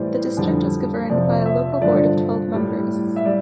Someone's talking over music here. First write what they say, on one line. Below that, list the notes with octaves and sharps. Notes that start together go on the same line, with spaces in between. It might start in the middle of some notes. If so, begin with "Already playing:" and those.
The district was governed by a local board of twelve members.
Already playing: A2 E3 G3 C5 D5
F2 D3 G3
F2 C3 F3 D5
E5
E5
G2 D3 F3 D5
A2 G3
E5
G3 D5